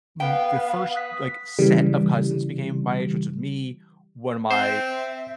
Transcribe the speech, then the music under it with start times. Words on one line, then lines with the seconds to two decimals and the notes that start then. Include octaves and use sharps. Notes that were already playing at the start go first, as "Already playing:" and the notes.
n the first, like, set of cousins became my age, which was me, one of my
0.20 B3 F5 G5
0.95 D#6 F#6 B6
1.59 C#3 E3 G3
4.51 C4 C5 E5